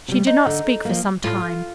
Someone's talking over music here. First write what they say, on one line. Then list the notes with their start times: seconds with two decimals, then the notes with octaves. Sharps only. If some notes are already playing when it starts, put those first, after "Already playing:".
She did not speak for some time.
0.08 C3 G3
0.27 D#4
0.46 D3
0.85 F3 A#3
1.24 A2 F4